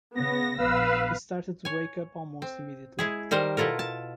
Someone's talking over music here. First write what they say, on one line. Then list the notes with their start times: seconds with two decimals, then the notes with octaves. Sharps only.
She started to break up almost immediately.
0.15 C#3 B3 A#6
0.58 A#1 B3 B4 F5 E6
1.65 C#5 G#5
2.42 C4
2.99 G#3 E4 G#4
3.31 D#3 G3 A#4 C5
3.57 B2 E4 F4 A4 A#4
3.79 A5